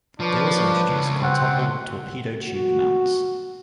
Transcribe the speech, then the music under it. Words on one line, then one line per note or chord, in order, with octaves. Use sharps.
They also introduced quintuple torpedo tube mounts.
F3 D4 B4 C#5
C#2
C4 F#4 F#5
F#4